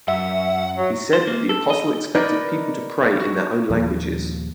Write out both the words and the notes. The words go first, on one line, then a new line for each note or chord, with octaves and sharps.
He said that the Apostle expected people to pray in their own languages.
F#2 E5 F#5
F#3
C5
A#3
A4
D#5
D#4 A#4 B4 D5 D#5
F#4
D#2 A#2 F3 G3